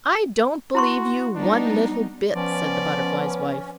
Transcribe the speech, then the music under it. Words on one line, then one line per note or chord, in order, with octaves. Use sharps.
'I don't believe you one little bit,' said the Butterfly's Wife.
E4 F#4 C6 C#6
G3 B3 D4 D#4
F3 B3 C#4 D5